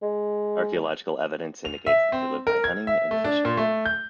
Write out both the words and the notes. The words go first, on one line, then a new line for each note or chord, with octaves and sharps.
Archaeological evidence indicates that they lived by hunting and fishing.
G#3
F7
E5
C4
A#4
G#6
E5
A3
D4
A#2
A3
G6